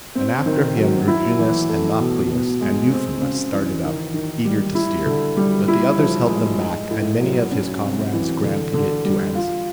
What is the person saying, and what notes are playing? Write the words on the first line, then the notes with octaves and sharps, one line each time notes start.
And after him Erginus and Nauplius and Euphemus started up, eager to steer. But the others held them back, and many of his comrades granted it to Ancaeus.
C4
D#3
F#3
E4
E3
A3
B2
B2
G#3
C4
C#3
E3
D#3
D#3
G3
E4
D3
G3
E4
F3
G#3
D#4
A2
F#3
C#4
C3
E3
D3
D3
G3
F4